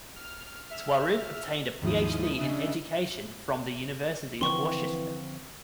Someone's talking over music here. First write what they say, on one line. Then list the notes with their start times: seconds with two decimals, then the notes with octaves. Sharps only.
Swaroop obtained a Ph.D. in Education from the University of Worcester.
0.16 F6
0.69 E5 F6
1.82 D#2 G#2 F3 E4 D#6
2.37 C#3 D4 D#5 E5
4.41 D3 E3 F3 C4 C6 C#6